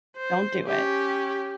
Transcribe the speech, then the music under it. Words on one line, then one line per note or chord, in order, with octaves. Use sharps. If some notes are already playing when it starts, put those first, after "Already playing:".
Don't do it.
C5
C#4 G4